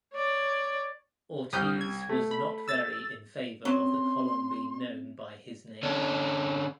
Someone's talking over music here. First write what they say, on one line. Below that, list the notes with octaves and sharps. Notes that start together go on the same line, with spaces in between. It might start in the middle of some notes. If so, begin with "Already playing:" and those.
Ortiz was not very in favor of the column being known by his name.
C#5 D5
C2 D#6 F6 G6
G#6
A3
B5
E6 A6
F#3 C4 C#4 C6
D3 C#4 D4